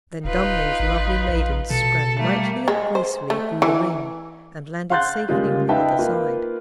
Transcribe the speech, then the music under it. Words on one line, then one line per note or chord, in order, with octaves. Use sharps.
Then Dummling's lovely maiden sprang lightly and gracefully through the ring, and landed safely on the other side.
D#1 D#4 F4 B4
G#1
A#1
B2 A4
G3 A3 A#3
G#3
C5
A3
E3
F5 F#5 C6 F#6 G6 A6
C#3 G3 G#3 A#3 F4
D#4 B4 E5 F5 G5 A5
A#3 F4 B4